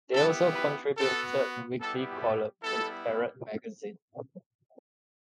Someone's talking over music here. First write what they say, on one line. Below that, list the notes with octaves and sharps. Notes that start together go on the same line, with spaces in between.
They also contributed a weekly column in "Parade" magazine.
B3 E4 G4 A4
B4
B3 F#4 A4
G3 B3 E4 G4 A4
A4
G3 B3 E4 A4